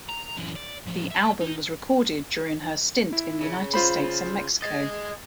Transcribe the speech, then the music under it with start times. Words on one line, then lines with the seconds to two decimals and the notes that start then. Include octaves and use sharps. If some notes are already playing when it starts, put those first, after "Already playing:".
The album was recorded during her stint in the United States and Mexico.
0.09 A#5
0.36 F#2 E3
0.55 D5
0.86 A2 F3
1.11 E5 A5
1.41 D#4
3.13 E4
3.41 C#3
3.74 F4 C5 B5
4.62 G#4 D#5 A6